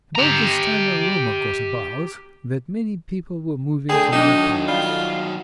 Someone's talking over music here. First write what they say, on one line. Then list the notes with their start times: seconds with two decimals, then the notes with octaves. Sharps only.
About this time a rumor got about that many people were moving to new parts.
0.15 G4 A#5
3.89 D3 A3 G#4 A4 G5 C7
4.12 D#3 F#3 D4 D#4 E7
4.68 G3 F4